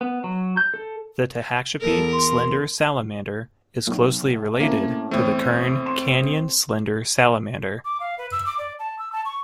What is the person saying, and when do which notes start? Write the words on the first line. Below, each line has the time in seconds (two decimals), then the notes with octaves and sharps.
The Tehachapi slender salamander is closely related to the Kern Canyon slender salamander.
0.01 B3
0.24 F#3
0.57 G6
0.74 A4
1.81 E2 A4 A#4
2.12 C6
3.87 B1
4.25 A2
4.60 A#3 C4 C#4 E4
5.11 E2 A2 A3 C4 C#5
5.86 C6 E7
7.85 D6
8.00 F5
8.18 B4
8.32 E6
8.46 D6
8.58 D5
8.79 A5
8.99 E6
9.12 A5
9.25 C#6